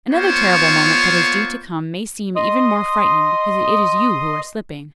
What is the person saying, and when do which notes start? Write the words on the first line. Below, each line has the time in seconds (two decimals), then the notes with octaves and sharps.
Another terrible moment that is due to come may seem even more frightening because it is you who are slipping.
0.11 A#3 B3 F4 C5 C#5 C#6
2.36 D#5 C6 D#6